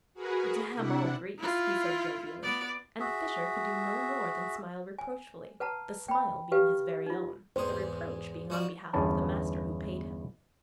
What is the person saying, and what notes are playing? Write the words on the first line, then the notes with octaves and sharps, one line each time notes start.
"Damn all Greeks," he said jovially, and Fisher could do no more than smile reproachfully, the smile being his very own, the reproach being on behalf of the master who paid him.
F#4 G#4 A#4 B4
C3 D4 E4 F#5
E4 F4
B3 D5
F#4 G#4 E5
G#5
B4 F#5 A5 A#5
G5 B5
G4 B4 F5
D#4 F4
E2 G#2 G#4 C5
F2 F#4 D5
G1 E2 B3 C#4 A5